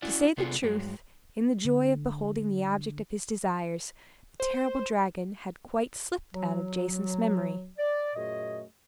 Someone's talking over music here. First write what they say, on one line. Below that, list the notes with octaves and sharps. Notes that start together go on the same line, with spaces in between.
To say the truth, in the joy of beholding the object of his desires, the terrible dragon had quite slipped out of Jason's memory.
C#4 E4 F#4 D5
C3 B3 D4 F4 G#4 A4
G2 F#3 G#3
D3
C5
F#3
D5
F#2 A#2 A3 G#4 D#5